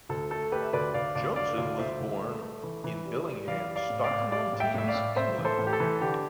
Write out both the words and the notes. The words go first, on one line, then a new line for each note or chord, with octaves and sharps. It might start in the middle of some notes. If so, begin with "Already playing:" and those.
Jobson was born in Billingham, Stockton-on-Tees, England.
D2 A4
A3 A4
A3 G4 B4
E5
D2 B4 D5
D2 D5 F5
D2 D5 F5
D3 D5 F5
D2 D5 F5
D2 C5 E5
D2
A3
A3
E3
E3
G3
G3
E3 D5 F5
G3
D5 F5
A2
D5 F5
A2
G3 D5 F5
A2
E5 G5
A2 E5
D5 F5
A2
A2 C5 E5
E3
A4 C5
A2
G4
A4
E3
D3 G4